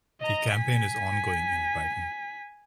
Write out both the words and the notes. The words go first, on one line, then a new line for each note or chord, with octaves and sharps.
The campaign is ongoing in Brighton.
D#5 A#5
G#5 B6